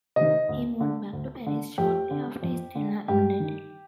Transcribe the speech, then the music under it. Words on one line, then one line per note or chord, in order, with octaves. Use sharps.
He moved back to Paris shortly after his tenure ended.
C3 D#3 D#5
D2
D3
D2
D3
F2 G4
D3
F2
D3
G2 G4
D#3